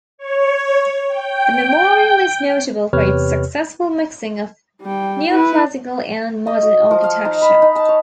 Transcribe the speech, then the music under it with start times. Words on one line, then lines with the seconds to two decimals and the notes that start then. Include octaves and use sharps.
The memorial is notable for its successful mixing of Neoclassical and Modern architecture.
0.18 C#5
1.08 G5
2.93 E2 C3 G4 B4 C#5 F6
4.82 G3 G5
5.29 E4 B4
6.47 D#5
6.63 F#4
6.91 F3
7.04 F5
7.25 D#4
7.42 B5
7.62 D#4
7.75 A5
7.89 C#5